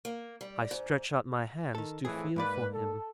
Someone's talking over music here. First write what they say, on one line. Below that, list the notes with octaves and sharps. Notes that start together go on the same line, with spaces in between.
I stretched out my hands to feel for him.
A#3
G3
G#2
D#3 A4
F2 A2 E3 A3 G#4
G#2 A#3 B4 D5
A4